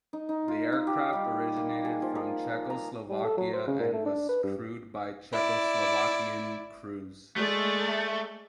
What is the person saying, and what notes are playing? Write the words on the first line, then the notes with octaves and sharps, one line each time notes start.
The aircraft originated from Czechoslovakia and was crewed by Czechoslovakian crews.
D#4
D#4
F4
D#4
G4
G3
A#3
G#4
F3
A#4
A#5
G3
A4
F#3
C5
C#3
A#2
A3
D4
B4
G2
E4 D5
G#3 A3 D5